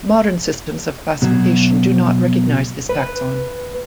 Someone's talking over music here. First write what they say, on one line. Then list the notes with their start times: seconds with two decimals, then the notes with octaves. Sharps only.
Modern systems of classification do not recognize this taxon.
1.22 B2 F#3
2.89 B4